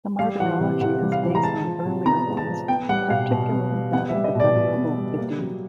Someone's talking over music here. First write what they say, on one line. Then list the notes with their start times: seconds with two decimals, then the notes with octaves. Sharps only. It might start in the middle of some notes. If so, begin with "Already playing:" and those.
The martyrology is based on earlier ones, particularly that of the Venerable Bede.
0.19 G3 F5
0.39 E3 F#5
0.60 C3
0.81 C3 F#5
1.02 G3
1.12 F5
1.23 E3
1.35 A#5
1.43 G#3 A5
1.64 F3
1.85 C3
2.05 B3 A#5
2.27 G#3
2.37 A5
2.47 F3
2.68 B3 G5
2.89 G3 F#5
3.10 B2 F5
3.31 B2
3.51 B3
3.72 G3
3.93 B3 F#5
4.09 E5
4.14 G3
4.24 D#5
4.35 B2 D5
4.56 B2
4.77 B3
4.97 G3
5.18 A#3
5.39 F#3